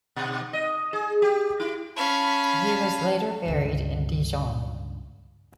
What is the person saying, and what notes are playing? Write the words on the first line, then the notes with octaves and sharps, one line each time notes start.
He was later buried in Dijon.
B2
D#5
G#4
G4
E4
C#4 F5 A5 B5
C#2 G2